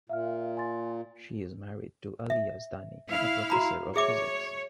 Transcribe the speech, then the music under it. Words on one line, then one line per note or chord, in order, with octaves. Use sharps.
She is married to Ali Yazdani, a professor of physics.
A#2 E5 F5 F6
G#5 C6 A6
E5
E4 F5
F#4 A#5 B5
G#4 C#5 E5 D6